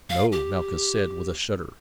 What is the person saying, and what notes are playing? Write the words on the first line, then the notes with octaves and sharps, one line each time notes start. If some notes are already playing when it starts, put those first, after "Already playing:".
"No," Malchus said with a shudder.
F5
G4